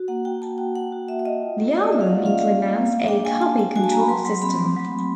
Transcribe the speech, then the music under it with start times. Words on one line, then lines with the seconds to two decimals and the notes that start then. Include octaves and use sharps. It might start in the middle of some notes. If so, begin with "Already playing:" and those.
The album implements a Copy Control system.
Already playing: F#4
0.08 A#3 F#5
0.25 F#4 G5
0.42 F#4 A5
0.58 F#4 G5
0.75 F#4 F#5
0.92 F#4
1.08 A#3 E5
1.19 E5
1.25 F#4 D#5
1.42 F4
1.58 A#3
1.75 A#3 D5
1.84 D#5
1.92 F4 E5
2.01 F5
2.08 A#3 F#5
2.25 C#4 F5
2.42 A#3 F5
2.58 A#3
2.75 A#3
2.92 A#3
3.08 D4 G5
3.25 D4 G#5
3.42 D4 A5
3.59 D4 A5
3.76 F#4 G#5
3.84 A5
3.92 A#3 A#5
4.00 B5
4.08 F#3 C6
4.25 F#3 C6
4.42 C4 B5
4.59 A3
4.76 F#3
4.92 F#3